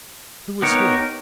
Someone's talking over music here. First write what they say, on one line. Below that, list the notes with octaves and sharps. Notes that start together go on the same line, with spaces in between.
"Who was he?"
B3 D#4 G4 A#4 C#5